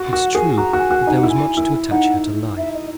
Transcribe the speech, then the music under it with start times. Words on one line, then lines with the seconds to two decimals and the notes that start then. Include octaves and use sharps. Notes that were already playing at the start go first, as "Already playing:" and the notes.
It is true that there was much to attach her to life.
Already playing: F#4
0.13 F#4 F#5
0.35 G#4 G#5
0.57 F#4 A#5
0.73 F#4
0.79 G#5
0.91 F#4
1.01 G#5
1.07 D#4
1.15 F#5
1.23 E4
1.29 G#5
1.57 E4
1.91 D#4 F#5
2.58 E5
2.74 D#5